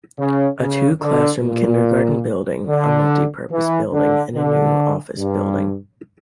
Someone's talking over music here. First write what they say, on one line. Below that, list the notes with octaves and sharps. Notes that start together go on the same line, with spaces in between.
A two classroom kindergarten building, a multi-purpose building, and a new office building.
C#3
C#3
D3
A#2
D3
E3
D3
D3
G2